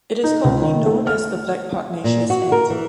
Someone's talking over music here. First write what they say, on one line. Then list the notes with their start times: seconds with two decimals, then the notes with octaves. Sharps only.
It is commonly known as the black pugnacious ant.
0.24 D#4
0.44 C#2
0.62 D#3
0.86 A3
1.07 F6
2.04 A#2
2.30 F#4
2.52 A#4
2.70 E3